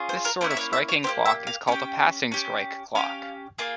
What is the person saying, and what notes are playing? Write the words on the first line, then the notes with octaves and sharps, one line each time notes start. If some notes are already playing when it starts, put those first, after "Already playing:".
This sort of striking clock is called a "passing strike" clock.
Already playing: C#4 F4 G#4
C5
A#4
A#3 C#4 E4 C5
E5
C#5
E5
C#5
A#3 E4 G4 C5
E5
F5
C#4 G4 G5
C#4 G4
C#4 E4 G4 F5
A#3 F4 G#4